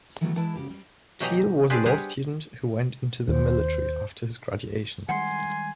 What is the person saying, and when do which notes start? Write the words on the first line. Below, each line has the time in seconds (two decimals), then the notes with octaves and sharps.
Teele was a law student who went into the military after his graduation.
0.21 D#3 E3 F#3 G3 A3 B3
0.36 E3 G#3 E4 B4 A5
0.56 C#3 F#4 G4
0.70 G3
1.20 B2 E3 F#3 G4 D#5
1.70 D4 G4 G#4 B4 C5 D5
1.85 G3 G4 G#4 F#5
3.28 D#2 C5
5.09 D#3 G3 G#3 F#5 G#5 C6